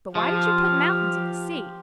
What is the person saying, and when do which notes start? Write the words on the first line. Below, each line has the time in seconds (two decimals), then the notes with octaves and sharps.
"But why did you put mountains in the sea?"
0.15 F3 G4 F6